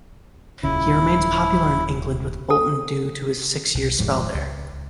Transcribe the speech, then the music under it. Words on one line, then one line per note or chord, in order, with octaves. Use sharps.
He remains popular in England with Bolton due to his six-year spell there.
D#1 C#2 C#3 E4
A4
B1
D#1 G#2 F3
C#2